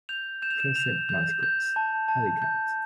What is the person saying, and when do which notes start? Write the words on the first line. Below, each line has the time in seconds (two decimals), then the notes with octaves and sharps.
Present Mascots: Halicat.
0.09 G6 F7
0.42 G6 E7
0.50 F7
0.60 E7
0.76 G6 F7
1.09 G6
1.43 G6
1.76 A5
2.08 A5
2.42 G6